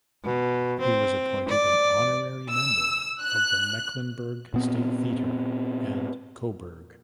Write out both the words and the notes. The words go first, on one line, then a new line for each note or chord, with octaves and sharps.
He was appointed an honorary member of the Mecklenburg State Theatre and Coburg.
B2
C4
D5
E6
F#6
A#2 B3 C4